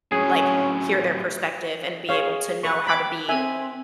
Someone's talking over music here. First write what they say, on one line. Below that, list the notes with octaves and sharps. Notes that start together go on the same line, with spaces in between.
like, hear their perspective and be able to know how to be
A2 F#3 C#4 G#4
G#4 C#5 F5
B4 C#6
G5 B5 D6
C4 E5 G#5